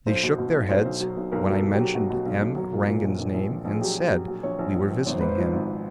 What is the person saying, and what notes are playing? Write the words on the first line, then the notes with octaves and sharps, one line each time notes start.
They shook their heads when I mentioned M. Rangon's name and said we were visiting him.
B1 C5
B2
B2
B1
B1 C5
B1
F#3
B1
B1 A#4
F#3
A4
B1
F#3 G4
B2 F#4
B2
B1
B1
F#3
A#2
A#2
A#1
A#1
A#1
A#1
A#1
G#4
F#3 G4
F#3
F#3
F#3
A#1 C#5
A#1
A#1
A#1
G#1 C#5
C5
G#2 B4
C5
F3
G#1